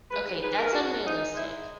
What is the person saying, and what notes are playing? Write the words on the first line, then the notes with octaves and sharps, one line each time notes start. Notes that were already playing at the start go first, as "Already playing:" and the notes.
Okay. That's unrealistic.
G#2 B4
G#2 B4
A#4
G#2 F#4
G#2 D#4
G#3 E4